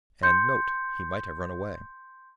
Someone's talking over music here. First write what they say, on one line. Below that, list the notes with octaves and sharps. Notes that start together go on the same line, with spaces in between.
And, note, he might have run away.
C6 G6 C#7